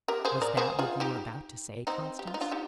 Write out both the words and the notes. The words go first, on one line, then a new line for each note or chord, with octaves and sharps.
"Was that what you were about to say, Constance?"
G4 A#4
G#4 C5
A#4 D5
G#4 C5
F4 G#4
D#4 G4
C4 D#4
G4
F4
D#4
D4 F4
D#4 G4